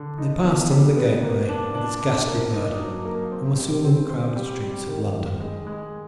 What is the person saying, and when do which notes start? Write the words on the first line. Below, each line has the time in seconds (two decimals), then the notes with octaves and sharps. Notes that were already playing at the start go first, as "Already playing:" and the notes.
They passed under the gateway, with its ghastly burden, and were soon in the crowded streets of London.
Already playing: D3
0.18 D#4
0.44 B2
0.70 G3
0.96 B3
1.23 A#3
1.49 D4
1.75 D4
2.01 D4
2.27 A#3
2.53 D#4
2.79 F#3
3.05 A#3
3.32 C4
3.58 G3
3.84 C4
4.10 C4
4.36 G3
4.62 G3
4.88 D#3
5.15 D#3
5.40 G#3
5.67 G#3